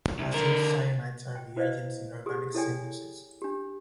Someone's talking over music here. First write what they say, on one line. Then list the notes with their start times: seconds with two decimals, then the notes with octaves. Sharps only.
Acyl cyanides are reagents in organic synthesis.
0.19 C2
0.33 D3 A#4
1.35 G5
1.56 E4 B4 C5 D5 D#5 F5
2.26 G4 G#4 D#6
2.54 E4 A4 C#5 D5 G5 G#5
3.42 D4 G4